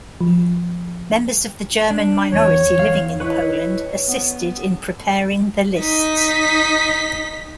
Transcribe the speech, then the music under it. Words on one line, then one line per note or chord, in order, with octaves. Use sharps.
Members of the German minority living in Poland assisted in preparing the lists.
F3
D4
E2 C#5
E2 F5
E4 B4 C#5 D#5
B3
D#4 B6